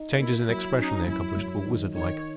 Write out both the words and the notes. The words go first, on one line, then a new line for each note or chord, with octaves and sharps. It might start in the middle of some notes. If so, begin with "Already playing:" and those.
The changes in expression they accomplished were wizard-like.
Already playing: D#4
A#3 E4
F#3 E4
C#4 D#4
F#2 E4
F#2
D#3
D#3 C#5